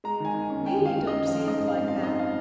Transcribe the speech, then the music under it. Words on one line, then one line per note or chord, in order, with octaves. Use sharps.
We don't see it like that.
G#3 A#5
D#3 G#5
D#3
C#4
G#3 G5
D#3
F5
D#3
D#5
C#4
F3 F5
D#4
D#5
G#2
F5
C4
F3 F5
D#4 D#5
F5